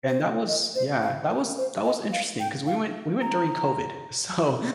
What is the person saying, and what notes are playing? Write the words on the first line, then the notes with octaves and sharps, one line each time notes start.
and that was Yeah, that was that was interesting 'cause we went we went during COVID, so
C5
D#5
D#5
C5
F5
A#4
C5
D#5
F5
G5
F5
A#5